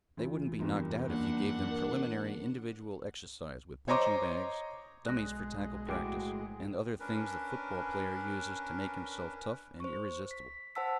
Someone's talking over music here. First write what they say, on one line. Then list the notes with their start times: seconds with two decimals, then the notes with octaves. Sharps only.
"They wouldn't be knocked out if you gave them preliminary individual exercise with punching-bags, dummies for tackle practice, and other things the football player uses to make himself tough and irresistible."
0.17 D2 E3 F4
0.59 F#1 E2 G2
1.09 A#3 D4 F#5
1.71 A#4
3.88 C5 C#5 D#5 A#5 C6 D6
5.05 B1 G#3 D5 F#6 A#6
5.88 A2 F#4 G#4 G5 D6 D7
7.00 C#4 D4 A#4 B4
9.80 C5 C#6
10.31 B6
10.75 C5 F#5 A5 E6 B6